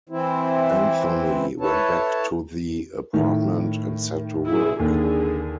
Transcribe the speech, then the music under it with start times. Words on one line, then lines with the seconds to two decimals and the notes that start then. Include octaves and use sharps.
Anthony went back to the apartment and set to work.
0.09 E3 C4 E4
1.60 E4 A4 B4 C#5 A5
3.13 A2 D#3
4.47 E4 G#4
4.79 D#2 D3 G#4